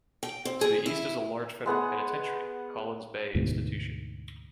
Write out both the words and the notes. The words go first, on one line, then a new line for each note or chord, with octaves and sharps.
To the east is a large federal penitentiary, Collins Bay Institution.
G5
C4
G#4
E4
G#3 B3 G#4 F#5
D2 G#2 B2